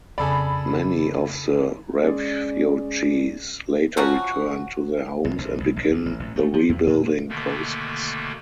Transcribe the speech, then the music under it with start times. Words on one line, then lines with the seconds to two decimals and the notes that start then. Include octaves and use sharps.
Many of the refugees later returned to their homes and begin the rebuilding process.
0.18 F2 C#3 G#4 A4 D5 B5
2.02 G#3 C#4 G#4 D5
3.97 F3 F#3 C#4 F#4
5.25 C2
5.38 A#1
5.60 C2
5.76 A#1
5.91 D2
6.06 A1
6.20 A1
6.36 A3
6.53 F3
6.69 E2
6.88 A#2
7.29 B2 D3 D#3 A3 A#3